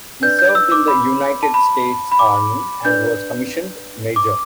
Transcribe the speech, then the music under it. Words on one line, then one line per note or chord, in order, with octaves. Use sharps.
He served in the United States Army and was commissioned major.
D4 B4 D5 G6
G6
E6
D6
B5
A5
B5
B5
D6
D4 B4 D5 G6
D6